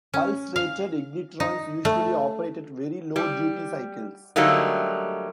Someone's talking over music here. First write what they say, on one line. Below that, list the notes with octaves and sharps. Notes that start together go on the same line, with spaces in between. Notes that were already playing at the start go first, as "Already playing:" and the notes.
Pulse rated ignitrons usually operate at very low duty cycles.
C#4
F5
D#4
A3
G3
D3 F#3 G3 A3 A#3 D#4